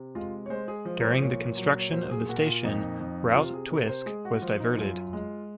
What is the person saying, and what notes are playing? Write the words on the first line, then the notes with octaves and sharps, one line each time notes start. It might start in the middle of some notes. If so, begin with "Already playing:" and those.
During the construction of the station, Route Twisk was diverted.
Already playing: C3
G#3 F4
C#5
G#3 C5
G#4
F3
A#4
C5
A#2 C#5
F#3
C#5
A#2 C5
G#4
A#2 F#4
F4
F2 D#4
F2
C3 F4
G#4
C3 A#4
A#4
C5
G#3 G#4
F#4
F3 F4
D#4
F#2 F4
G#3